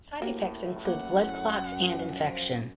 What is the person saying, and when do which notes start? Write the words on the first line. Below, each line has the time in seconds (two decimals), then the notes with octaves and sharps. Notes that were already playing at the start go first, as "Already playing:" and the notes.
Side effects include blood clots and infection.
0.22 A1 A2 A#3 F#4 G4
0.85 F#2 A#3 F#5
2.04 F3